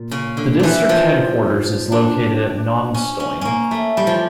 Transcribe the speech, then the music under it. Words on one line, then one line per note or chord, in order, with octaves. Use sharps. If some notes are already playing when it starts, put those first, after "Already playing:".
The district headquarters is located at Nongstoin.
Already playing: A#2
C#3
D3
E3 F3
F3
D4
C#4
C#4
A#3 C#4
A3
G3
F3